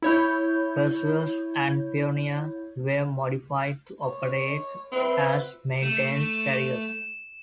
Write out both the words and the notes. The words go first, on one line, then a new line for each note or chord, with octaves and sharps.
"Perseus" and "Pioneer" were modified to operate as maintenance carriers.
E4 C#5 G6
C#5
C4 B4 E5
A3 E7